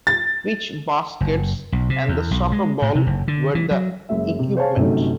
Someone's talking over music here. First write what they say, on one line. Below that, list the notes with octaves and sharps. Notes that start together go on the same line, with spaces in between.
Peach baskets and the soccer ball were the equipment.
A6
F#1
B1
C3
E2
B1
G#3
A2
C3
F#1
D3
E3
F#3
F#1 F#2 G#3 E5
C3
G#4 C5 C#5 F5 A5
G1 C3 F#3 A3 C#4 D#4